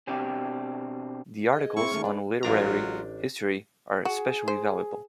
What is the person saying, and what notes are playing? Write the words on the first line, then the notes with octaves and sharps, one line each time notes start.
The articles on literary history are especially valuable.
B2 C4 D4 G4
G#4 D#5
C4 E4 C#6
D#2 A3 C#4
D4 B4 D5
A1 F#3 G#3 D4 F4 A#5
F#4 G#4
C5